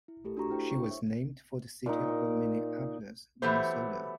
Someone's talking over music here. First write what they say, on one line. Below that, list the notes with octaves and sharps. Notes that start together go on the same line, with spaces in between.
She was named for the city of Minneapolis, Minnesota.
E4
A3 G4 A4 A#4
D4 F#4 G4 A#5 C#6
D4 E4 A4 C5 G5
C#6
C5 C#5 E5
A#2 D#4
E3 F#3 A3 B3 G4 C5